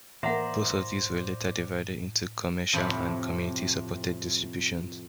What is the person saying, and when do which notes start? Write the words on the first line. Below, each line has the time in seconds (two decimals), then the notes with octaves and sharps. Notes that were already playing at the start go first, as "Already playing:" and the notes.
Both of these were later divided into commercial and community-supported distributions.
0.23 A2 E3 A#3 C5 D5 E5 F#5 A#5
2.73 F2 A2 C3 B5